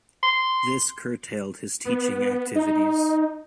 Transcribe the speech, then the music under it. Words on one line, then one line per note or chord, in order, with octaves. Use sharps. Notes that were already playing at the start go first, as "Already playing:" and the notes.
This curtailed his teaching activities.
C6
B3
D#4